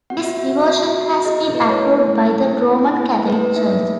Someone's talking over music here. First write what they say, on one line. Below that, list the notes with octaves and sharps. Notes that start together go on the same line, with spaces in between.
This devotion has been approved by the Roman Catholic Church.
B3 F#4 F#5
E5
B3 F#4 E5
B3 F#4 E5
B3 F#4
B3 E4 G#4 D#5
B3 E4 G#4 B4
C#5
B3 E4 G#4 A#4
B3 E4 G#4
A#3 E4 G#4
A#3 E4 G#4
A#3 E4 G#4
A#3 E4 G#4 B4
B4
A#3 D#4 G#4 E5